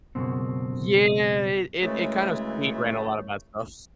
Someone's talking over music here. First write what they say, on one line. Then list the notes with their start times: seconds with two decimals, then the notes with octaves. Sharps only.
Yeah, it it it kind of speed ran a lot of bad stuff.
0.15 C#2 F#2 B2 C4
1.83 F#2 C#3 E3 G#3 A3